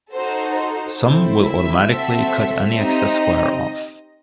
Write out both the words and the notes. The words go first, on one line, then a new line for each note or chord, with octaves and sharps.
Some will automatically cut any excess wire off.
D#4 F#4 A4 C5
C5
C4 E4 A4 C5
E5
C4 F#4 A4
C4 D#4 G4 D#5